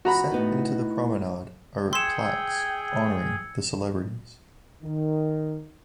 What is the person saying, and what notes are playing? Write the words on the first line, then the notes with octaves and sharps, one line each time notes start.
Set into the promenade are plaques honouring the celebrities.
E2 F#4 A#5 B5
A2 B3 D#4
G#4 G5 C6 E6 G#6 C#7 E7
D#3